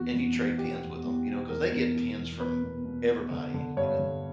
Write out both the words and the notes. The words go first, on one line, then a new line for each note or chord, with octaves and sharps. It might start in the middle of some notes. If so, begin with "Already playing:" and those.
and you trade pins with 'em, you know, 'cause they get pins from everybody. You know, th
Already playing: E2 B2 F#4
E2
E2
B2 G4
E2
E2
B2
E2 A#4
E2
B2
E2
B2 B4
B2
B2
B2
D3
D3
G2 C#5
D3